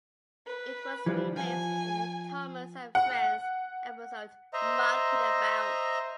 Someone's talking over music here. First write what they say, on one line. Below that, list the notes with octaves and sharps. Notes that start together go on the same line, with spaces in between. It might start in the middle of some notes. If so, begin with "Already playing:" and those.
It was remixed in the "Thomas and Friends" episode Mucking About.
B4
E3 F3 G3
F3 G#5
F#5
C5 D#5 E5 A#5